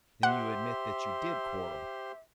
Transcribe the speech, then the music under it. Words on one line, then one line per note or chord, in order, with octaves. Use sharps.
"Then you admit that you did quarrel?"
G4 C5 E5 F#5 C6